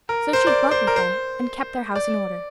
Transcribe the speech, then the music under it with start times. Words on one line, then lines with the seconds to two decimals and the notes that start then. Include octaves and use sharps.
So she dwelt with them, and kept their house in order.
0.09 A#4
0.33 C5
0.47 D5
0.71 C5
0.87 A#4
0.96 C5
1.96 D5